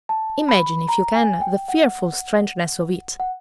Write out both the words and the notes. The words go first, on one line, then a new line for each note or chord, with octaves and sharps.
Imagine if you can the fearful strangeness of it!
A5
B5
A#5
G#5
G5
F#5
F#5